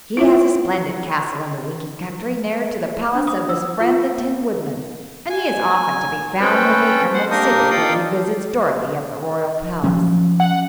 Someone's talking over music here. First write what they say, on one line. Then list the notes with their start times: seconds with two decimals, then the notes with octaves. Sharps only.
"He has a splendid castle in the Winkie Country, near to the palace of his friend the Tin Woodman, and he is often to be found in the Emerald City, where he visits Dorothy at the royal palace."
0.17 E4 F4 E5
3.15 D4
3.27 D#6
3.49 E6
3.80 F4
5.30 G#5
6.40 C4 C#4 A4 B4 G5
7.14 C5 F#5
7.31 A#3 D4 G4 A#4 D#6
7.70 F4 A4 D5 F5 G5 D#6
9.84 F3 F#3 C#4
10.40 F#5